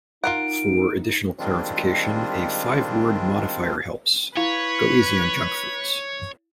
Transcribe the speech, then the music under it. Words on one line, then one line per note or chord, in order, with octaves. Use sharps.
For additional clarification, a five-word modifier helps: go easy on junk foods.
D#4 F4 A#4 F#5 D7
D#3 G3 G#3 C4 D4 F4
E4 B4 C#5 F5